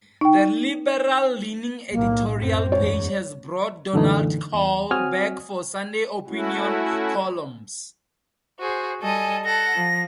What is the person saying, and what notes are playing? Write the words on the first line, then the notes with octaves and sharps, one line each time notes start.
The liberal-leaning editorial page has brought Donald Kaul back for Sunday opinion columns.
D#4 G5
B1 A2 A#3
F#2 C4 C5
E2 G#2 C#5 D5
F#2 A#2 D3 E3 A3 D#4
E2
C4 F#4 C#5 G#5 D#6 F6
A3 C#4 E4 F#4
F#4 G#4 C5
G3 A4 D#5 G#5
A4 F#5 A#6
F3